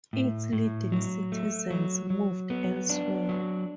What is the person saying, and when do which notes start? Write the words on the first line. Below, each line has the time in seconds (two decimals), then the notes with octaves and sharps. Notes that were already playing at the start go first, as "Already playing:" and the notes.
Its leading citizens moved elsewhere.
0.13 A2
0.53 A2
0.92 F#3
1.32 A3
1.70 F#3
2.10 F#3
2.50 B3
2.90 D4
3.29 F#3